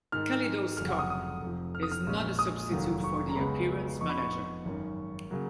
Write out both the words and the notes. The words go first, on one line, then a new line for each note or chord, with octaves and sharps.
Kaleidoscope is not a substitute for the Appearance Manager.
G#2 D#3 G#3 F6
F1 F2 C#3 F#3 F6
F#5
D#6
D#6
F1 F2 F3
F6
D#6
F6
A#1 A#2 G#3 C#4
D#6
F1 D#2 D#3 F#3
C#6
A#5
C#2 C#3 G#3 B3 B5
F2 F3 B3 D#4 C#6
B5
C#6
C#6
G#1 F#2 D#3
C#3 F#3 A#3